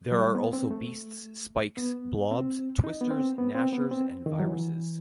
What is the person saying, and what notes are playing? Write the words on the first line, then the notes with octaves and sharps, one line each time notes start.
There are also beasts: spikes, blobs, twisters, gnashers, and viruses.
F#3
G3
B3
C4
A3
B3
C4
D#4
B3
C4
B3
C4
B3
C4
D#3
F#3
E3